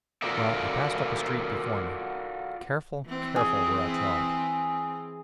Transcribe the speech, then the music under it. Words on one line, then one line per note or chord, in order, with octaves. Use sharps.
Well, I passed up a street before me, careful, careful where I trod.
F4 F#4 A4 A#4 D5 E5
E3 C4
G#4